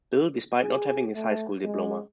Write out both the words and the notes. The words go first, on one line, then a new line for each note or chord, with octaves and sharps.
Bill, despite not having his high school diploma.
G#4
A3
G#3